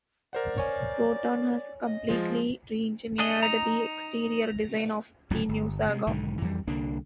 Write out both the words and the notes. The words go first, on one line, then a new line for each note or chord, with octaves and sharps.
Proton has completely re-engineered the exterior design of the new Saga.
A#4 C5 D5 F#5
C#5 G#5
D#5
F3 G#3 F4
D4 G#4 D#5
D#4 A#5
D1 C#2 G#2 F#3
G1
C3 G#3
B1 G#2 D3 D#3
F2 E3 F3 G3
C2 D3 A#3 D4